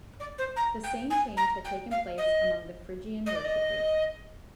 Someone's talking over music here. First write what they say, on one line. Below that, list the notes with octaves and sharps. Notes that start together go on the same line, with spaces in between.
The same change had taken place among the Phrygian worshipers.
D5
C5
A#5
G5
G#5
A#5
G5
F5
D#5
D#5
D5
D#5